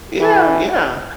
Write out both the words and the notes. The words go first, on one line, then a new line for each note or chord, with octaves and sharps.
Yeah, yeah.
E3